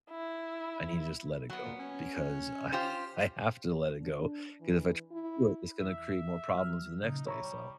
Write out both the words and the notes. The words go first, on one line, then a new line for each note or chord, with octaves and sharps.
I need to just let it go. Because I I have to let it go. 'Cause if I try to do it, it's gonna create more problems the next day, so
E4
F#3 B3
A#2
C#4
F4 G4 C5
D4
E3
E4
E2 E5
F#3 F6
A#2 C#3 D#4
E4 C#5 A#5 C#6
G3